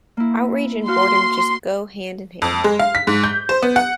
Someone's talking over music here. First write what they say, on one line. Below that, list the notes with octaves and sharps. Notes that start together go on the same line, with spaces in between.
Outrage and boredom just go hand in hand.
A#3 E4
F#4 F5 C6 F6
F2
G#3
F5
B6
G#2
G6
C5
B3
F#5